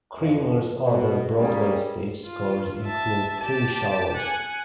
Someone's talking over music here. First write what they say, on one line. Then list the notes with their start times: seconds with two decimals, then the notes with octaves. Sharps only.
Creamer's other Broadway stage scores include "Three Showers".
0.18 F2
0.83 B2
1.37 G3 G#3 A#3 C#4 G#4 A#4
2.25 F4
2.84 E5 A5
3.40 G4 A5
4.16 F#5 G#5